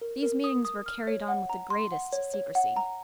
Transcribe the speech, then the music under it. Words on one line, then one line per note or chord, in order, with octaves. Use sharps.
These meetings were carried on with the greatest secrecy.
A#4
A#4
D#6
D#6
F6
C#5
F#5
A#5
C6
F#5
C#5
C#5
F#5
A#5